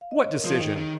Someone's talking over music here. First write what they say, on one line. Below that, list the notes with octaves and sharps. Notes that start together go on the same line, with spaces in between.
What decision?
F5
D#5
C#5
A#4
F3 G#4
D#3
D#3